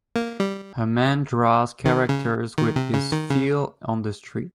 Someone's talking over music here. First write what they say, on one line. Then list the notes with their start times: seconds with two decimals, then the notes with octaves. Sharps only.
A man draws characters with his feel on the street.
0.16 A#3
0.40 G3
1.85 D#3
2.09 C#3
2.58 D#3
2.76 C3
2.94 C#3
3.12 D#3
3.30 C#3